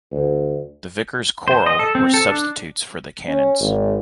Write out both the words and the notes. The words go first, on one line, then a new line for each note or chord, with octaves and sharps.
The vicars choral were substitutes for the canons.
D2
C5
D#5
A4
C4
A4
D4
C#4
G#1